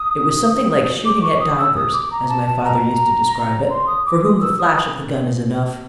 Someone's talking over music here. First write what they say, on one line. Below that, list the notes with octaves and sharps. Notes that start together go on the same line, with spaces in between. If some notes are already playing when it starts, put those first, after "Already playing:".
It was something like shooting at divers--as my father used to describe it--for whom the flash of the gun is enough.
Already playing: D#6
D6
C#6
D#6
E6
D#6
D6
A#5
A5
A5
A#5
C6
D#6
D6
D#6
E6
D#6